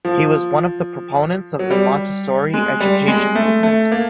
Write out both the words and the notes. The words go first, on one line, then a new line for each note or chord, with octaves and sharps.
He was one of the proponents of the Montessori education movement.
F3
F#3
G3
G#3
G3
G#3
A3
A3
A#3